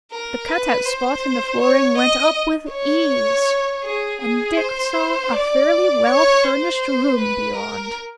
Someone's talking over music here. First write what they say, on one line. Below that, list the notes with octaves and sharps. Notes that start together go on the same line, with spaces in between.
The cut-out spot in the flooring went up with ease and Dick saw a fairly well furnished room beyond.
A#4
B4
C5
C#5
D#5
C#5
G#4
G#4
C5
D5
C#5
C5
B4
A#4